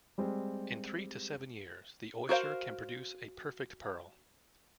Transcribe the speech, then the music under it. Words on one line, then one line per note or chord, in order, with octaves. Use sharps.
In three to seven years, the oyster can produce a perfect pearl.
G3 G#3 C4
F#4 A#4 C5 F5